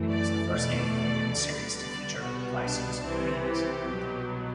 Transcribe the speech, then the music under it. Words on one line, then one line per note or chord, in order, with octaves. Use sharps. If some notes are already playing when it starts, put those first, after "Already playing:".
It was the first game in the series to feature licensed leagues.
Already playing: F#2 E3 A3
D5
E2 B2 A3 D5
D2 D3 G3 B3
D5
C2 B2 G3 B3 F#4
D4
C2 C3 E3 C4
G4
C2 B2 F#3 B3